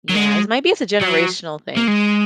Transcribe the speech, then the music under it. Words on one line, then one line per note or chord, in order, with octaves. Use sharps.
yes, maybe it's a generational thing
F#3
G#3
F#3
A#3
G#3